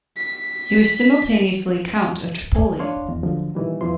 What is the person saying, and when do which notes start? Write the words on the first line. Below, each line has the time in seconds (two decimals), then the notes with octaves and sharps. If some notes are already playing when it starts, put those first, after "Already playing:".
He was simultaneously Count of Tripoli.
0.17 B6
2.55 D5 G#5
2.79 D4 C#5 F5 C6
3.09 E2
3.23 D3 F3 F#3
3.55 A#2 D#3 E3 G3
3.81 E2 E3 F3 C6